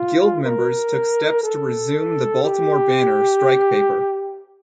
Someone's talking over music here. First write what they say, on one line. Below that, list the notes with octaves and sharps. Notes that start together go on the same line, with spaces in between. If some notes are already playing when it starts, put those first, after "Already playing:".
Guild members took steps to resume the "Baltimore Banner" strike paper.
Already playing: F4
A#4
A4
G4